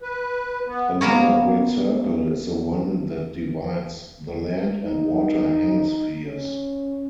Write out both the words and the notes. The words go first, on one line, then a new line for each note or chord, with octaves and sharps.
Another great circle is the one that divides the land and water hemispheres.
B4
B3
A#3 B3 A#4 C#5
D#4
C#4